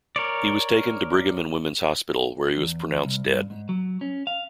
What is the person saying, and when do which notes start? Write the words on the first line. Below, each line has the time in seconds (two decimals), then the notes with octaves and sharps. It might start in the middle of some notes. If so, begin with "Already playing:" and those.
He was taken to Brigham and Women's Hospital, where he was pronounced dead.
0.16 A#4 C#5 D5
2.57 E2
3.05 C2
3.26 G2
3.50 G#2
3.69 F#3
4.01 C#4
4.27 F5